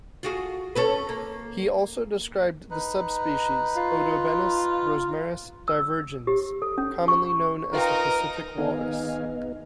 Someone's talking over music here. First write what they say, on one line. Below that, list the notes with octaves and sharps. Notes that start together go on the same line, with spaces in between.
He also described the subspecies "Odobenus rosmarus divergens", commonly known as the Pacific walrus.
F4 F#4 G#4
C#4 A4 B4
A#3
D#4 B4
F4
E6
G4
A4
C#4
C#6
D#4 F4 A#4 B4 F5 G5
D#3 B3 D#4 G#4 F5